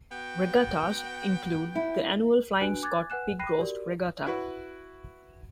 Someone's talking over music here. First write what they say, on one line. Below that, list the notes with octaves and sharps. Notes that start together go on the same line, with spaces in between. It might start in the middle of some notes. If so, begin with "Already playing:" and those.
Regattas include the Annual Flying Scot Pig Roast Regatta.
B3 F#4 G5
E4
D4 F#4 B4 G#5 F#6 D7
G#5 D6 F#6 G#6 A6
B4 F#5 G#5 F#6 E7
G5 B5 F#6 A#6 C7 D#7
F#4 G4 A#4 D5
E4 F#4 B4